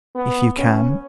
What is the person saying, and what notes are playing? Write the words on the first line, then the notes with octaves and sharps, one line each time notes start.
"If you can."
B3
C#4